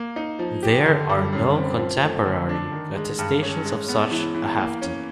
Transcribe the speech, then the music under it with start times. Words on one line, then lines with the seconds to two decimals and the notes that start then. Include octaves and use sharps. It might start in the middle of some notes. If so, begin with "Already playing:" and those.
There are no contemporary attestations of such a Halfdan.
Already playing: A#3
0.16 D#4
0.39 F3
0.63 G4
0.86 D3
1.09 G3
1.33 F#2
1.56 C4
1.78 F3
2.02 A3
2.25 D3
2.49 D4
2.72 D#3
2.95 G#3
3.19 G2
3.42 C#4
3.65 G#3
3.88 B3
4.11 E3
4.34 E3
4.58 A#3
4.82 C#4